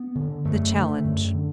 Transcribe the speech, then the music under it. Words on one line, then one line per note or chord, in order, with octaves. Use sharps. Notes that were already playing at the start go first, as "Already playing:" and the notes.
The Challenge.
Already playing: B3
D3
F#2 A3
D3
F#2
D3